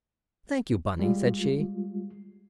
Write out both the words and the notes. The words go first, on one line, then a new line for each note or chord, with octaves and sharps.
"Thank you, Bunny," said she.
G3 G#3 F4